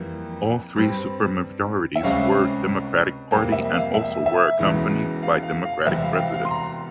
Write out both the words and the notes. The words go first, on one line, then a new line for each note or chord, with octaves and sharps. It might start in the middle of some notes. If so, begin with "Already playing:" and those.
All three super majorities were Democratic party and also were accompanied by Democratic Presidents.
Already playing: F2 E3 G3 A#3
G2 G3 C4
E5
C#2 C3 G3 C#4 F5
F2 C3 G3 A#3 G5
E5
F5
E5
E5
E1 E2 C#3 E3 G#3
F5
F5
F5
E1 E2 C3 G3 E5
F5
G5
F5
F5
C6
A#5